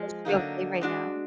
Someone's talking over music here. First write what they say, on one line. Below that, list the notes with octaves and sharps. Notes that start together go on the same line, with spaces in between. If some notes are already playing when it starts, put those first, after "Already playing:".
Is she okay right now?
Already playing: F3 G#3
D3 F#3 A#3 D#4
G#3 D4 F#4